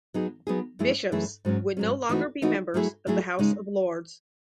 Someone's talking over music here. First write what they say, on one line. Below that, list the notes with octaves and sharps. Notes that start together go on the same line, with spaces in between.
Bishops would no longer be members of the House of Lords.
F#3 B3 D#4 G#4
F#3 B3 D#4 G#4
F#2 E3 A3 E4 G#4
F#2 E3 A3 E4 G#4
G#2 F#3 C#4
G#2 F#3 C#4
E3 A3 D#4 F#4
E3 A3 D#4 F#4
F#3 A3 E4 G#4
F#3 A3 E4 G#4
C#3 G#3 D#4